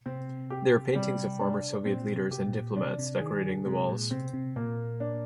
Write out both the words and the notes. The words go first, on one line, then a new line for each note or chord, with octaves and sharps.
There are paintings of former Soviet leaders and diplomats decorating the walls.
C3 C4
G4
C3 G3
D4
A#2 C4
C3
G4
A#2
C3 D4
C3
D#3 G#4
D3
C3 G#3
A#2
C3 C4
C3
A#2 A#3
D4